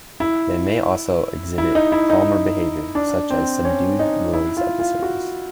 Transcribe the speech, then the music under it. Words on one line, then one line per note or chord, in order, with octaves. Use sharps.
They may also exhibit calmer behavior, such as subdued rolls at the surface.
E4
E4
D#4
E4
D#4
D4
C4
C#4
D#4
E4
F4
F4
F#4